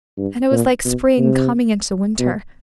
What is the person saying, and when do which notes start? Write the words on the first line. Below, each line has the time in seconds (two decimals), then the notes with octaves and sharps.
And it was like spring coming into winter.
0.17 G2
0.51 A#2
0.85 B2
1.18 C3
2.19 B2